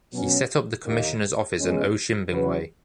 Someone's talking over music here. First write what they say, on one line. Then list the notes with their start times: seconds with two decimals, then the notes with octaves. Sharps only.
He set up the commissioner’s office in Otjimbingwe.
0.13 B2 F#3 C#4
0.86 D#2 D#3 A#3 D#4
1.59 E2 C#3 G#3 C#4
2.31 C#3 F#3 C#4 F#4 B4